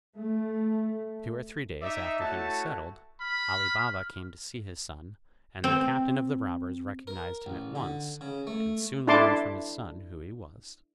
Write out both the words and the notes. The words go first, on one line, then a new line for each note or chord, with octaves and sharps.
Two or three days after he was settled, Ali Baba came to see his son, and the captain of the robbers recognized him at once, and soon learned from his son who he was.
A3
D#4 D5 E5
A3 E4 F#4 C#5 A5
B5 F6
C4
A#4
A1
D3
C#3
A3
D4 E4 A4 A5 C6 D6